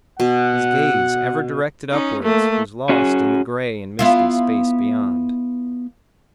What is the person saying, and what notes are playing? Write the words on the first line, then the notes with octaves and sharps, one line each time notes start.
His gaze, ever directed upwards, was lost in the grey and misty space beyond.
B2 F#5
C#4 D#4
A3 A#3
C#4 F#4 G#4
B3 E4 F4